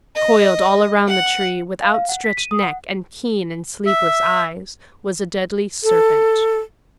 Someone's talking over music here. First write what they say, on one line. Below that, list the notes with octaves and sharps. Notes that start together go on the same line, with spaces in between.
Coiled all around the tree, with outstretched neck and keen and sleepless eyes, was a deadly serpent.
D#5
F#5
F5
F5
F#5
B6
D#7
D#6
F#5
E5
A4